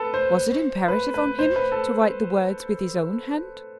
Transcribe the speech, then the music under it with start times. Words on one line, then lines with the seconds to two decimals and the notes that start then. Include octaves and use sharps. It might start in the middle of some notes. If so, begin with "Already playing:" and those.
Was it imperative on him to write the words with his own hand?
Already playing: A4 B4
0.14 C5
0.88 B4
1.14 B4
1.39 C5
1.56 B4
1.72 A4